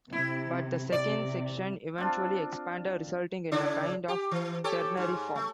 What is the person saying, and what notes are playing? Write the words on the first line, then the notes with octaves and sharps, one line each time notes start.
But the second section eventually expanded, resulting in a kind of ternary form.
C3 E4
C3 D5
C4 D4 F4
C#3 D4 E4
G4
E3
G4 A4 C#5
G#2
A3